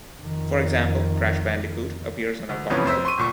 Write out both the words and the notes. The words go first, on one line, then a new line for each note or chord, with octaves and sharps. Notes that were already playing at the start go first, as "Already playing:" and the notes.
For example, "Crash Bandicoot" appears on a Got Milk?
F2 D#3
D2
G2 C3 E3 F3 B3 C#4
F2 C5 E6 B6
C6 C#6 D#7
G1 A#2 C#6